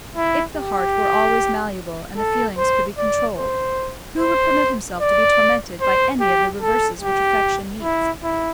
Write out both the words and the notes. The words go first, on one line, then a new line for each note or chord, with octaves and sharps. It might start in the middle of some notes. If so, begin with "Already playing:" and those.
If the heart were always malleable and the feelings could be controlled, who would permit himself to be tormented by any of the reverses which affection meets?
E4
G4
A4
C5
D5
C5
C5
D5
C5
G4
A4
G4
E4
E4